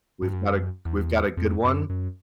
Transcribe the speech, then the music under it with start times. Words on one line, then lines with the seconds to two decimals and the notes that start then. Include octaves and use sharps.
we've got a we've got a good one.
0.22 G2
0.33 F#2
0.85 E2
1.37 F2
1.65 F#2
1.90 F#2